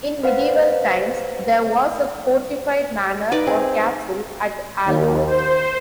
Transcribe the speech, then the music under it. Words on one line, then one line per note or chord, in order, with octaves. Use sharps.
In medieval times there was a fortified manor or castle at Aldworth.
B4 C5 F5 F#5
D#4 B4 D5
C4 G#4
D#2
C5